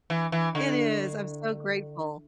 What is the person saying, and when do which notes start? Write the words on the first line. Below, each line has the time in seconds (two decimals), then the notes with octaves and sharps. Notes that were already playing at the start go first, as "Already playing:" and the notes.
It is, I'm so grateful.
0.10 E3
0.32 E3
0.55 D3